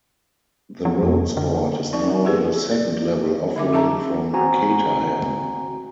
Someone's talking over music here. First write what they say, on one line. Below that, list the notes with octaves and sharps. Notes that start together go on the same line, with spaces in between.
The Roadsport is now the second-level offering from Caterham.
F3
F2
D3
C4 D#4 D5
E4 G4 G#4 B4
D5
D3 E5 D6
D#4 G#4 E5 A5 A#5
C4 F#4 G#5 A#5